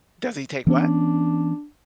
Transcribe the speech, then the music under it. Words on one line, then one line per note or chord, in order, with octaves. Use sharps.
Does he take what?
E3 B3 C#4 D4